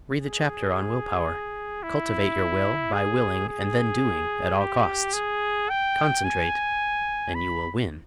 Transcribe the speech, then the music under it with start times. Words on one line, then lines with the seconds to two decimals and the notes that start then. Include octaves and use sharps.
Read the chapter on "Will Power." Cultivate your will by willing and then doing, at all costs. Concentrate--and you will win.
0.19 G#4
1.83 E4
2.94 G#4
3.49 G#4
4.59 G4
5.14 G#4
5.70 G5
6.25 G#5
7.35 B5